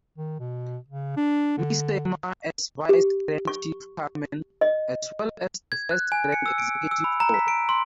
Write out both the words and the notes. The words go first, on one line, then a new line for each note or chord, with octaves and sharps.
Missemer as Vice Grand Chief Carman, as well as the first Grand Executive Board.
D#3
B2
C#3
D4
D3
G4
C#6
D#5
G#6
F#6
G#5
C#7
E6
D7
E6
B5
A#5
B6
D7
C6